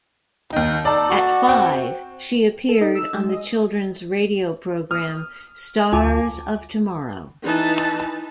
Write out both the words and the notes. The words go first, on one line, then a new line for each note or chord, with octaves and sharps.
At five, she appeared on the children's radio program "Stars of Tomorrow".
D#2 D#4 G5
D#4 A4 D5 A5
F#4 C#6
C4 G5
A4
D#4
E6
G#3
D#5
D#6 F6
D2 F4 G#5 A5 D6
E3 D#4 B4 A5